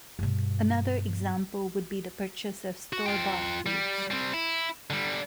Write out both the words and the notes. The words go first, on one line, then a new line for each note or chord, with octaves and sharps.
Another example would be the purchase of store-bought foods.
G2 B2
F#4
F4 G5
G3
G3 C4
E4
D3 G3